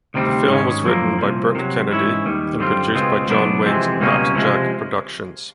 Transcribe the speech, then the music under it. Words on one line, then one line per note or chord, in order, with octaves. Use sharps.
The film was written by Burt Kennedy and produced by John Wayne's Batjac Productions.
D2 C3 D#3 G3 C4
G#2 D#3 G#3 C#4
F#2 D3 F3 A#3
C2 A#2 F3
C3 D#3 F#3
G#2 E3 G#3 C#4 E4
D#2 D#3 G3
F#2 D3 G3 C4 F4
C#2 B2 G#3 C4 F4
B1 A2 F#3 B3 D4
F2 C3 E3 G#3 C4
C#2 B2 G3 A#3 C#4
C3 F3 G#3